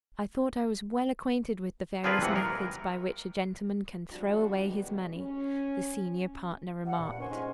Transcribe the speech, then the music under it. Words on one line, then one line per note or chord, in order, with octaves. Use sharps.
"I thought I was well acquainted with the various methods by which a gentleman can throw away his money," the senior partner remarked.
C4 D4 F4 G#4 A#4 B4
C3 E3 F3 C4 F#5
A#4
C3 F3 G3 D4 F#4
B2 D#3 G3 G#3 F#4
C#4
C3 F#5
G2 A#2
D#2 C#4 C5 G#5 C#6
G#3 D#4 F4